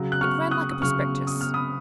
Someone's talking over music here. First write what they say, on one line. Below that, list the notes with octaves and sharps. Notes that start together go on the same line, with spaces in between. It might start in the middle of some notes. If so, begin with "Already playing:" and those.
It ran like a prospectus.
Already playing: C#3 F#3
F#6
C#6 F6
D#6 F#6
D#6
C#3 F#3 C#6 F6
D#6
F6
B5 D#6